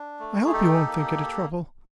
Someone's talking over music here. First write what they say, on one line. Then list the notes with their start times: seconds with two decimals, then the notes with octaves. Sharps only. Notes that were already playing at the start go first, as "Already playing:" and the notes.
I hope you won't think it a trouble?
Already playing: D4
0.19 A3
0.46 G#4
0.52 D#4 G4 A4
0.86 A#3